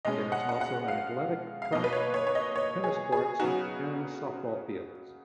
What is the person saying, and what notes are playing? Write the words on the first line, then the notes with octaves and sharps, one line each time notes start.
There is also an athletic track, tennis courts, and softball fields.
B2 G#3 C#4 D#5
F#5
F#5
F#5
F5
F5
B2 A#3 D#4 D#5
B4
C#5
C#5
C#5
D#5
C#5
G#4
G#4
C#3 F#3 B3 D#4 F#4